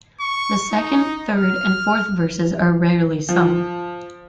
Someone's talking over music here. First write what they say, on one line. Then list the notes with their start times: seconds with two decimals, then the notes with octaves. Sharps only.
The second, third and fourth verses are rarely sung.
0.20 C#6
0.73 D#4
1.36 F6
3.29 F3